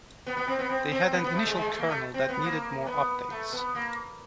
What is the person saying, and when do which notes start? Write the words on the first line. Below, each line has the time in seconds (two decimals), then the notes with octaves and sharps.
They had an initial kernel that needed more updates.
0.26 B3
0.37 B3
0.47 C4
0.59 B3
0.69 C4
0.92 C4
1.12 B3
1.24 B3
1.35 A3
1.46 G#3
1.56 G#3
1.67 A3
1.79 A#3
1.89 A3
2.14 C4
2.28 B3
2.44 A#3
2.86 B3
3.30 A3
3.52 B3
3.75 A#3